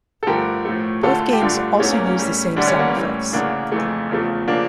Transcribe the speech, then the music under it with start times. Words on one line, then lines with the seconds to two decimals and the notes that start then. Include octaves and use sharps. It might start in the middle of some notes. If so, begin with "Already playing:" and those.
Both games also use the same sound effects.
0.23 A4
0.27 G2 D3 F3 A3 G4 A#4
0.65 A2 F3 A3
1.03 D2 D3 A3 F4 A4
1.33 G4
1.42 G2 D3 A3 D4 F4
1.80 E2 E3 A3 C#4
1.93 A#3
2.06 C#4
2.19 A2 G3
2.56 D2 D3 G3 D4
2.67 C#4
2.79 A#3
2.89 C#4
2.95 A2 E3 G3
3.33 D2 C#3 E3 A#3 D4
3.72 F2 C#3 E3 A3
4.10 E2 C#3 F3 A3
4.48 C#3 F3 A#3 D4